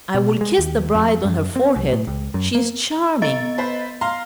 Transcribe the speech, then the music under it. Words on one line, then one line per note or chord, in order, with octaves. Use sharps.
I will kiss the bride on her forehead; she is charming.
B2
G#3
D#2
F2
F#2
C4
C2
A2
C#2
F#2
A#3
B3 D#5 A6
B4 C5
F5 A#5 C6